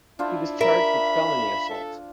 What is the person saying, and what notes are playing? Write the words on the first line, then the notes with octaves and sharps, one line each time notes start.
He was charged with felony assault.
D4 E4 F4 C5
A#4 E5 B5
A4